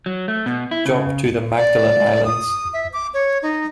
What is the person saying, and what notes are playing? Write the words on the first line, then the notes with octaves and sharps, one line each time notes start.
Job to the Magdalen Islands.
F#3
A3
B2
E4
C#3
D5
D#6
E5
D6
C#5
D#4